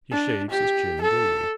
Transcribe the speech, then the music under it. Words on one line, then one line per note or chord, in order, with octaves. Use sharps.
He shaves his chin daily.
D4
G4
A4